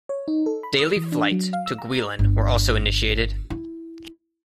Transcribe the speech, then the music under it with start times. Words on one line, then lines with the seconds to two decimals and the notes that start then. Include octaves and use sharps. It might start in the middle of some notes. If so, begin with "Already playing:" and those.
Daily flights to Guilin were also initiated.
0.09 C#5
0.28 D#4
0.46 A4
0.63 B5
0.79 D#6
0.96 E3
1.12 D4
1.32 F#3
1.53 F5
1.66 E6
1.78 A#5
2.19 G1
3.50 E4